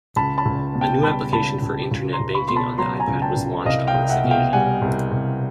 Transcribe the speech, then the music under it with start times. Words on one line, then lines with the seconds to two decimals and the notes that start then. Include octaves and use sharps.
A new application for internet banking on the iPad was launched on this occasion.
0.16 C#2 A5 B5
0.38 A5 B5
0.46 C#2
0.75 B2
0.81 G5 A5
1.03 G3 A5 B5
1.33 C#2 A5 B5
1.62 C#2
1.91 C#2
2.13 A#5 C6
2.20 C#2
2.34 B5 C#6
2.48 B2 C6
2.56 A5 B5
2.78 F#3 A#5 C6
3.00 G#5 A#5
3.07 C#2
3.22 G5 A5
3.36 C#2
3.65 C2 D#5 F5
3.87 F5 G5
3.94 C2
4.09 E5 F#5
4.23 B2
4.31 F5 G5
4.53 G3 F#5 G#5
4.82 C2
5.12 C2